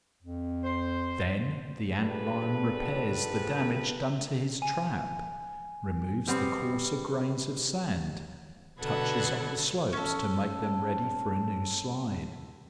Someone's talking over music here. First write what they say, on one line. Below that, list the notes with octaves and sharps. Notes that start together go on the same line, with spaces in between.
Then the Ant-lion repairs the damage done to his trap, removes the coarser grains of sand, touches up the slopes to make them ready for a new slide.
F2
C5
F3 G3 D4 G#4 A4 B4
G#5
G3 B3 C4
B2 D3 A4 B4 F#5 G#6
C#4 A4